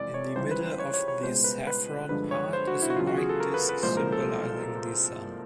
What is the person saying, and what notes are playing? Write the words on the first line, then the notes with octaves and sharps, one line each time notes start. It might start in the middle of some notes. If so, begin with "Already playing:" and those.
In the middle of the saffron part is a white disc symbolizing the sun.
Already playing: F2 C3 E3 G#3 D5
C#5
C#2 C#3 E3 G3 C5
B4
C5
C#5
C#5
C#5
C#2 B2 G#3 C5
B4
B4
G2 D3 F3 G#3 B4
C#5
C5
F#4
E4
F#4
E2 C#3 F#3 F4
F#4
G#4
A4
A#4
B4
B4
C2 A#2 F3 G#3 C5
A#4
A4